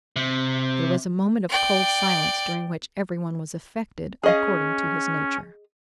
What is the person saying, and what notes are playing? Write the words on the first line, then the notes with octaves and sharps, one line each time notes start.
There was a moment of cold silence, during which everyone was affected according to his nature.
C3
D5 G5
C#4 G#4 D#5 F5